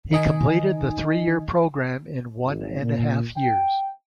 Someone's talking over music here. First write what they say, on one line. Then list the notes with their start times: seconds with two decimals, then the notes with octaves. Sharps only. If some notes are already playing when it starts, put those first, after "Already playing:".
He completed the three-year program in one and a half years.
0.11 D#3 D#4 D#5 G#5
2.46 G#1
2.82 A#2
3.36 G5